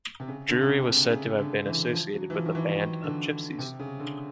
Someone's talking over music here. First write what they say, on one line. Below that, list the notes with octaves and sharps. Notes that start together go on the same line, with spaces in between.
Drury was said to have been associated with a band of gypsies.
C3
C#3
D3
C3
C#3
C3
C#3
D3
E3
F3
F#3
E3
F3
D#3
E3
D#3
D3
C3
C#3
D3